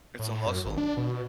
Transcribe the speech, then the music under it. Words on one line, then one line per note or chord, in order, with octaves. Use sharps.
It's a hustle,
A2
F#2
G#1
D4
B2